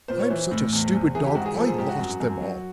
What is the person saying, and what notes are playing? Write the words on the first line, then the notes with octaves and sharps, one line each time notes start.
I'm such a stupid dog I lost them all!
A#2 C5
C#5
E3 C5
A2
E2
E2
E3 G#4
G4
G#2 F#4
G#4
F3 A4
G#4
G#2 G4
F#4
F#2
F#2
F#3